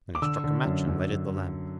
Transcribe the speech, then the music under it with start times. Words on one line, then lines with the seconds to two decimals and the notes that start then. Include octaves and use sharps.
Then he struck a match and lighted the lamp.
0.15 D6
0.22 D3 E6
0.44 D3
0.65 F#2
0.87 F#2